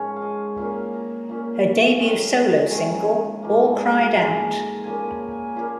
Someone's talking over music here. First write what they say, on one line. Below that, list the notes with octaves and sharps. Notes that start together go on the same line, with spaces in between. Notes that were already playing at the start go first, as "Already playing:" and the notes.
Her debut solo single, All Cried Out!
Already playing: G#2 F3 C#4 G#4 A#4 C#5
F5
D#5
A#2 A#3 C#4 F5
A#5
A#2 A#3 C#4
D#3 G#3 C#4
D#3 G#3 C#4 G#5
G#2 F3 A#3
G#2 F3 A#3 G#5
A#5
A#2 F3 A#3 C#4 G#5
A#5
G#5
A#2 F3 A#3 C#4 F5